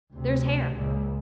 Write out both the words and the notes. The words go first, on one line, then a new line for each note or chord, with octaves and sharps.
There's hair.
D2 C3
C#2 A#2